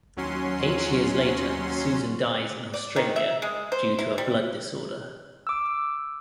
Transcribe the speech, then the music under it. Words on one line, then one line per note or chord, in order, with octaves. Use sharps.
Eight years later, Susan dies in Australia due to a "blood disorder".
D#2 F#3 C#4 C6
D5
D#3
E5
G#3
C5
E4
G3
D6 E6